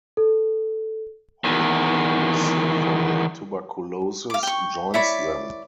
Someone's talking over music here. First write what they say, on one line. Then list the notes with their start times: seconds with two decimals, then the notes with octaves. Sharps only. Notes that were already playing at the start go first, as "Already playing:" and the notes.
Holliday, who is sick from tuberculosis, joins them.
0.17 A4
1.44 E2 D#3
4.30 F5 D6
4.43 G5 C#6
4.94 E4 C#5 D5 B5